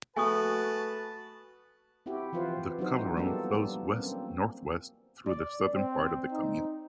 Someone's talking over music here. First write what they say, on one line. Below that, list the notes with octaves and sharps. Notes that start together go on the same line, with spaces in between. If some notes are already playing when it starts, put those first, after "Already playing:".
The Chalaronne flows west-northwest through the southern part of the commune.
A3 F#4 B4 G#5 A5 C#6 D#6
C4 E4 F#4 G4
E3 F3 C4 F4 B4 C5
F#3 C4 D4 D#4 F#4 C5
G3 A#3 B3 D4 G4 A4
A#3 C4 C#4
D5
C4
D#4